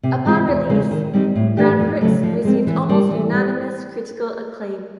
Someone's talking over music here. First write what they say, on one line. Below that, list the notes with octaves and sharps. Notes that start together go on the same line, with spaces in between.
Upon release, "Grand Prix" received almost unanimous critical acclaim.
C3
E3 G#3 C4 F4
E2
C#3 F3 G#3 C4
D#3
G3 C4 D#4
A2
E3 A3 D4 G4
F2
C#3 F#3 A3
F3
G#3 C4
E3
G3 A#3
E3
G3 B3